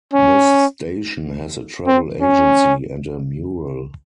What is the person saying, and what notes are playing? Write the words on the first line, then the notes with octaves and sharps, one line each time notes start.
This station has a travel agency and a mural.
C#4
C4
C#4